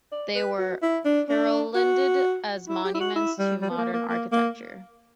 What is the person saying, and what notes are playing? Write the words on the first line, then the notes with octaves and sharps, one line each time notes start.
They were heralded as monuments to modern architecture.
D5
B4
F#4
E4
D4
D4
F#4
E4
G4
E4
F#4
E4
G3
G3
B3
A#3
A#3
A#3
A#3